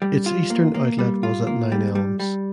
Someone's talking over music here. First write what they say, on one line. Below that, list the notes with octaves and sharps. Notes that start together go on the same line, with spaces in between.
Its eastern outlet was at Nine Elms.
G3
F4
A#3
A#3
G3
F4
A#3
G3
G3
G3